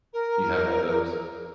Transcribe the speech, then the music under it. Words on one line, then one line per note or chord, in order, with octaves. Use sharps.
You have had those?
A#4